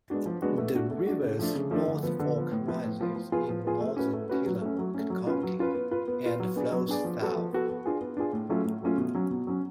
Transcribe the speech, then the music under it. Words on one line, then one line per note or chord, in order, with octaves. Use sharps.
The river's North Fork rises in northern Tillamook County and flows south.
G#3 B3 D4 F#4
F3
G#3 B3 D4 F#4
A3
D4 F#4
A3
D4 F#4
C#3
F3 A3 D4
C#3
F3 A3 D4
D3
F3 B3
D3
F3 B3
A2
F3 B3 F4 B4
A2
F3 B3 F4 B4
F3
B3 F4 G#4
F3
B3 F4 G#4
A3
C#4 F#4 B4
A3
C#4 F#4 B4
F#3
A3 C#4
F#3
A3 C#4
F#3
C#4 F4 B4
F#3
C#4 F4 B4
B3
F4 B4
B3
F4 B4
F#3
B3 D4 G#4 D5
F#3
B3 D4 G#4 D5
F3
B3 F#4 A4
F3
B3 F#4 A4
B3
D4 F4 G#4
B3
D4 F4 G#4
A2
F#3 A3 C#4 F4
A2
F#3 A3 C#4 F4
B2
F#3 C#4
B2
F#3 C#4